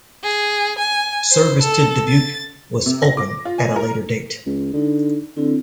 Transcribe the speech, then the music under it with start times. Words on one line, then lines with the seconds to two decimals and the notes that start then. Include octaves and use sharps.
Service to Dubuque was to open at a later date.
0.24 G#4
0.79 G#5
1.32 C5
1.63 A4
2.08 A6
2.86 C3
3.02 A#6
3.17 D6
3.45 F4
3.58 G#5
3.76 A#4
4.46 C#2
4.74 D3 D#4
5.37 D3 C4 E4